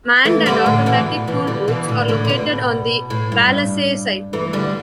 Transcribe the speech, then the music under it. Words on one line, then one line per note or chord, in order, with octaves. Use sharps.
Manned and automatic tollbooths are located on the Wallasey side.
E3 A3
D3 G3
A2 D3
B2 E3
B2 E3
D3 G3
B2 E3
A2 D3
A2 D3
D3
B2
A2
G2
E3 A3
D3 G3